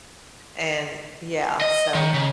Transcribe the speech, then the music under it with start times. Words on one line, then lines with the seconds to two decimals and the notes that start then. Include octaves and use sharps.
And yeah, so.
1.61 D#5
1.95 D#3
2.14 C#3